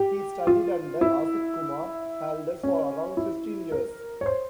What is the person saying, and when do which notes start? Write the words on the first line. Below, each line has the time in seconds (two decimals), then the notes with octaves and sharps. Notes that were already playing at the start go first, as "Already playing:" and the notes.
He studied under Asit Kumar Haldar for around fifteen years.
Already playing: G4
0.47 F4
1.01 E4
2.63 C#4
3.17 E4
3.72 A#4
4.21 C#5
4.26 C5